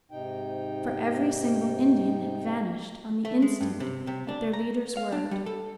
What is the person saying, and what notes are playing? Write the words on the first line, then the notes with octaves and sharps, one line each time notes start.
For every single Indian had vanished on the instant at their leader's word.
G#2 C3 D#4 G5
A3
G#3
G2
C3
C3
D4
A#5
F5
D4
G3
A4